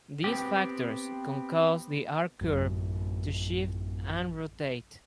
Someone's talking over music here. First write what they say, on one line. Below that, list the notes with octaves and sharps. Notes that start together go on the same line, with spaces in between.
These factors can cause the R curve to shift and rotate.
B3 C4 G4
A1 F#2